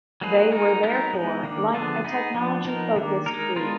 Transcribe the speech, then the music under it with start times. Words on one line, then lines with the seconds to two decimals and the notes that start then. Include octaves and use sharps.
They were therefore like a "technology-focused" group.
0.21 F#3 A#3 D#4 G#4 B4
0.51 G#3 D#4 F#4 A#4
0.83 F#3 B3 D#4 A#4
1.13 G#3 B3 D#4
1.43 D#3 A#3 D4
1.74 D3 F3 B3 D4 G#4
2.04 B3 D#4 G#4
2.34 F3 B3 D4
2.65 F3 B3 D#4 A#4
2.96 D#3 A#3 D4
3.26 G#3 D#4 A#4
3.56 G#3 B3 D4 F4 A#4